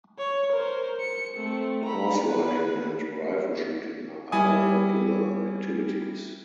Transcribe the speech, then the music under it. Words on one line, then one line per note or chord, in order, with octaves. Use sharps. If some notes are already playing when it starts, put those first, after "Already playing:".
Horse riding and rifle shooting are other popular activities.
C#5
A#4 C5
C#7
A3 C4
A#5 B5
B4
G3 E4 G#5 D#6